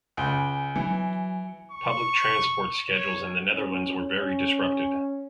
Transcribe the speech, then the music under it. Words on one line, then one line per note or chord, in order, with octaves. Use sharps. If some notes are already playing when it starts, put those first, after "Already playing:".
Public transport schedules in the Netherlands were very disrupted.
C#2 G#5 D7 G7
E3 F#3 C#7
C#6
C#5
C#4
C#4